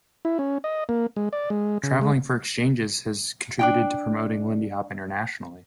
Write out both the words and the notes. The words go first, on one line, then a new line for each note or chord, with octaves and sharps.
Traveling for exchanges has contributed to promoting lindy hop internationally.
E4
C#4
D#5
A#3
G#3
D5
G#3
C#3
G#3
D4 D#4 G5